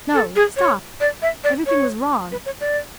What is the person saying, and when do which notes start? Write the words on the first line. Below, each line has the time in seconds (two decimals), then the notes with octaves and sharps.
No, stop! Everything was wrong.
0.14 A4
0.36 G#4
0.57 C#5
1.00 D5
1.22 E5
1.44 D5
1.66 C#5
2.32 B4
2.46 C#5
2.60 D5